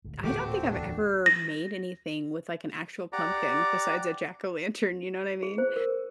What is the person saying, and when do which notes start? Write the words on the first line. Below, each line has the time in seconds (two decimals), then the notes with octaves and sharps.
I don't think I've ever made anything with, like, an actual pumpkin besides a jack-o'-lantern, you know what I mean?
0.04 D1 D2 G#2
0.23 D#3 F3 A3 B3 F#4 G4 D6
0.46 A#2 C4
0.71 E2 A#2 E3 D4
1.26 A#6
3.13 G4 D5 F#5 A#5 D6
5.43 G#4
5.58 C5
5.76 A#4